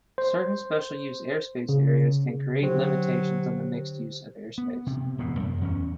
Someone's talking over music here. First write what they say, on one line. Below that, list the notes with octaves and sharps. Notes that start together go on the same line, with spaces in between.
Certain special use airspace areas can create limitations on the mixed use of airspace.
C5
C#3
D3 F#3 G4 C5
B3
C3
E1 F#2 A2 B3
F#2
E2 C#4